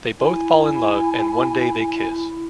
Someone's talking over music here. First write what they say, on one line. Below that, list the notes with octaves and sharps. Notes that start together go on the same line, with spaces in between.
They both fall in love and one day they kiss.
E4 G#5